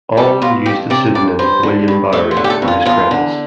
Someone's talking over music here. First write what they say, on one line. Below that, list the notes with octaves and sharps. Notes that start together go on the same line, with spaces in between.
Alwyn used the pseudonym William Bowery for his credits.
G3 A4
B2 F4
F2 G4
C3 D5
F2 D5
G2 C5
D3
G2
A3 D5
C5
D3
G4
A4
F2
F4
E2 F4
D3